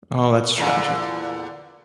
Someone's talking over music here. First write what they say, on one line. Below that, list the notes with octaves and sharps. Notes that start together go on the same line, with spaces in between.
Oh, that's tragic.
E2 A#2 D3